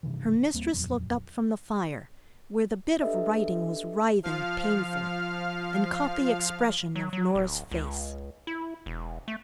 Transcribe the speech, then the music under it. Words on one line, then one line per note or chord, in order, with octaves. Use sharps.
Her mistress looked up from the fire, where the bit of writing was writhing painfully, and caught the expression of Norah's face.
G2 C3 D#3 E3
D#2 G3 A#3 C4
D#1 F2 F#3
D4 G4 A4 B4 D#5 E5
F3 F5 F6
F#3
F#3
D1
C#2
E4
E1
A3